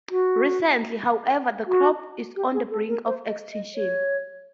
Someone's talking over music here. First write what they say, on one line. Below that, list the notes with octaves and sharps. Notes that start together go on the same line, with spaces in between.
Recently however, the crop is on the brink of extinction.
F#4
F#4
G4
G#4
A4
A#4
C5
D#5
D#5
C#5